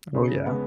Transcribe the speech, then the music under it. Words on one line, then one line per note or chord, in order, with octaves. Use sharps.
Oh, yeah.
C#3
G#3 B3